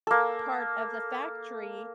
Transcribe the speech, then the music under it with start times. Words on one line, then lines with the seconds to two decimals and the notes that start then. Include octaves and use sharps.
part of the factory
0.07 A#3 A4